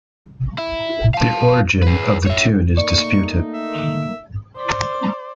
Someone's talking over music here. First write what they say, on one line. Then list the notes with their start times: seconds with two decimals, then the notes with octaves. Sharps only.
The origin of the tune is disputed.
0.58 E4
1.14 F5 A5
1.83 G#4 B4
2.26 C#5 E5
2.77 A3 A#3 D#4 D5 C#6
3.54 E5
4.56 C5 D5